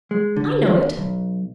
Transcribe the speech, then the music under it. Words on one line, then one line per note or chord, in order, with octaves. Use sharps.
"I know it."
G#3
D3
D#2
B1